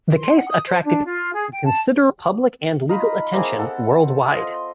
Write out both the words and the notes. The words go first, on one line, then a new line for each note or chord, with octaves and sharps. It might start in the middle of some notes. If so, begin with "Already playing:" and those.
The case attracted considerable public and legal attention worldwide.
C6
F#5
D#6
C5
D4
F4
G#4
G5
A5
D#4 F4 A#5 B5
A#3 C4 E4 G#4
A4 F#5
C4 F4 D#5